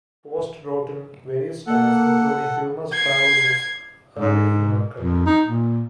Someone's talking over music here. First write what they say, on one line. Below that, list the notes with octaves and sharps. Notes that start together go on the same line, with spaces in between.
Post wrote in various styles, including humorous travel books, early in her career.
A#3 A4 F#5
G#6 C7
G#2
F2
D#4
A#2